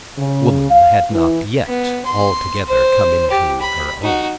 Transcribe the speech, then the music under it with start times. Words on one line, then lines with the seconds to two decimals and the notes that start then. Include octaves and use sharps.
Woman had not yet altogether come into her own.
0.18 C#3
0.70 F5
1.12 E3
1.67 B3
2.06 C6
2.69 C5
3.30 G4
3.61 B5
4.02 D#4 F#4